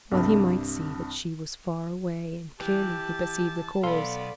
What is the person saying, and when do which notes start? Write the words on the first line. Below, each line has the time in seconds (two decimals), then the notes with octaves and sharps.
Well he might see that she was far away, and clearly he perceived the cause.
0.12 C2 G2 C3
2.60 E3 G4 A5
3.83 B1 B3 A4 D5 F5 B5 C6